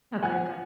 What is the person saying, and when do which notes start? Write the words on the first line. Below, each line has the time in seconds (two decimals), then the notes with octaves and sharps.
Okay, good.
0.22 F3 F#5 G#5